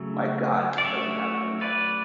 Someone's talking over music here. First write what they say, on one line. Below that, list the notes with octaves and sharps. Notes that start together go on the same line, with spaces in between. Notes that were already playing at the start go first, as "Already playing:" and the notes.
my god, does it have an impact.
Already playing: C#3 F#3 A3
D5
F#3 A3 C#4 C#5 E5
B4 D5